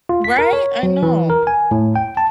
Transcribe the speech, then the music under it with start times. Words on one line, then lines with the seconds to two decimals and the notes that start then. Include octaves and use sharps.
Right, I know.
0.09 F4
0.24 B6
0.39 A#4
0.53 C#5
0.83 F#3
1.03 E3
1.30 A#4
1.47 G#5
1.71 A2
1.96 G5
2.17 A5